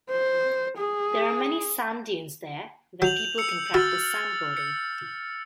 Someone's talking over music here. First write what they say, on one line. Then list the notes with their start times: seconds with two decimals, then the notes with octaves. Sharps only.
There are many sand dunes there, where people can practice sandboarding.
0.11 C5
0.78 G#4
3.02 F#3 G6 F7 F#7
3.38 E6 C#7
3.74 F#4 E6 F6 A6
4.57 C#7